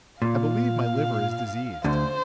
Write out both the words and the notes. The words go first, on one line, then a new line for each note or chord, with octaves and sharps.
I believe my liver is diseased.
A#2 F5
D2 D3 C5